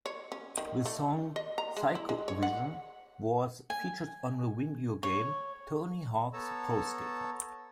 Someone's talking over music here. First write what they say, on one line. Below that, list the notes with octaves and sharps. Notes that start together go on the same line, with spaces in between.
The song "Cyco Vision" was featured on the video game "Tony Hawk's Pro Skater".
C#5
C#4
D#3
A3
D#5
A#5
G#3
E4
G#3
C#5
F#5
G#5
C#5
B3 A4 C#5 A5 A#5 E6